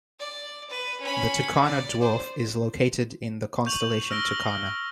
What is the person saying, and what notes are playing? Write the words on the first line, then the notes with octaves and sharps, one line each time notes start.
The Tucana Dwarf is located in the constellation Tucana.
D5
B4
C#4 B5
D5
C5
C#6 G6 F7 F#7
E6 F6 A#6 D7 G7